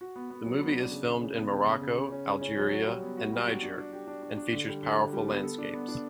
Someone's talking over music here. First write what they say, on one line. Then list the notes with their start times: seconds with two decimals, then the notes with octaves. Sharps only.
The movie is filmed in Morocco, Algeria, and Niger and features powerful landscapes.
0.01 F#4
0.16 B3
0.30 B3
0.46 F#3
0.61 B3
0.76 D4
0.91 C#3
1.06 C#3
1.21 C#3
1.36 B3
1.51 C#3
1.66 C#3
1.82 C#3
1.97 C#3
2.12 C#4
2.26 C#3
2.42 C#4
2.57 F#3
2.72 F#4
2.87 G3
3.02 B3
3.17 F#4
3.32 G3
3.48 F#4
3.62 D4
3.78 D4
3.92 G4
4.07 D4
4.23 D4
4.37 D4
4.53 D3
4.68 G3
4.83 D3
4.98 G3
5.13 G3
5.28 B3
5.43 A4
5.58 D4
5.74 B3
5.88 D4